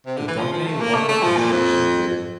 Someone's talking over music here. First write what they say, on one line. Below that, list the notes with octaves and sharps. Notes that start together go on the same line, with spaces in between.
Guidone won the construction bid.
C3
D3
E3
F3
F3
A3
A#3
A3
A3
F3
A#2
F2
F2